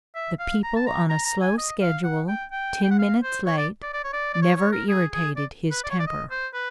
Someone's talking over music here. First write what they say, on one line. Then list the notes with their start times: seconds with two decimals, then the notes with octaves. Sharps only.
The people on a slow schedule, ten minutes late, never irritated his temper.
0.15 E5
0.39 F5
0.63 A#5
0.76 A5
0.87 A#5
1.09 A#5
1.25 A#5
1.42 G#5
1.58 D#5
1.81 F5
2.04 F#5
2.28 G5
2.51 G5
2.83 G5
2.91 F#5
2.99 F5
3.23 C5
3.46 C#5
3.58 D5
3.83 D5
3.93 D5
4.04 C#5
4.13 D5
4.33 D5
4.42 C#5
4.57 C#5
4.72 A#4
4.89 G#4
5.13 G#4
5.37 D5
5.71 B4
5.84 D5
5.90 C#5
5.99 D5
6.07 D#5
6.31 C5
6.54 B4